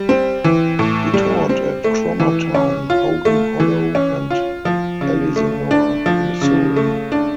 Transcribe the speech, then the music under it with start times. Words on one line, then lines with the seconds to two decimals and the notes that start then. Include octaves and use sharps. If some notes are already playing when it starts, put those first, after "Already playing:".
He taught at Crommertown, Hogan Hollow and Ellsinore, Missouri.
Already playing: G3
0.09 C4
0.44 E3
0.79 A2
1.14 G3
1.49 C4
1.84 A3
2.20 E3
2.55 C#4
2.90 F4
3.25 A3
3.60 E3
3.95 C#4
4.30 F4
4.65 F3
5.01 C#3
5.36 A3
5.71 D4
6.06 F3
6.41 C#3
6.76 A3
7.12 D4